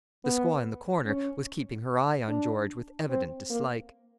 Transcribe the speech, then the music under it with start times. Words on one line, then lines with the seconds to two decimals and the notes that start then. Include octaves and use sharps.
The squaw in the corner was keeping her eye on George with evident dislike.
0.24 B3
1.06 C#4
2.28 D4
3.09 C4
3.50 A#3